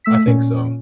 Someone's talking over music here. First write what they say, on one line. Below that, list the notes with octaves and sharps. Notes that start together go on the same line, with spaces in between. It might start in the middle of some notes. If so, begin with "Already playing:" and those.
I think so.
A3 E6 B6
A#2 C#4